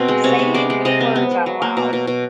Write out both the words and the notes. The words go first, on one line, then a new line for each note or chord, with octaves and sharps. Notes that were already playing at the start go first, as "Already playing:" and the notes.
saying the words out loud.
Already playing: B2 C4
G#3
C3 C#5
B3
G#3 D5
G#3
C3 D#5
B3
B3
G#3
F#3
A#3
B2
B2
B2